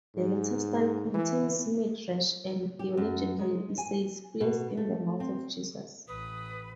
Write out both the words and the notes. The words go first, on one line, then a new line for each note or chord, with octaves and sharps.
The later style contains midrash and theological essays placed in the mouth of Jesus.
G#2
E3
G4
F#2
G#3
G#5
B2
A3
C4
A1 B4 D#6